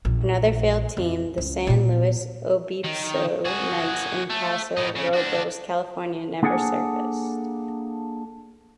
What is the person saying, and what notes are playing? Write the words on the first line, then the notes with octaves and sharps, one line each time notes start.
Another failed team, the San Luis Obispo Knights in Paso Robles, California, never surfaced.
A#1
F2
C#2
A#2 B3
D#3
F#4 G#4
A3
A2 D#4
C#3
D4 F#4
A#3 D4 G#4 A4 F#5 G#5